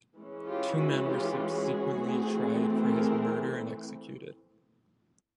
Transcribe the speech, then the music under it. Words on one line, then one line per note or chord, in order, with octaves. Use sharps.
Two men were subsequently tried for his murder and executed.
E3 G#3 C#4
F4 G4
E4 F#4
F4 G4
F#4 G#4
E3 A3 C4
G#4 A#4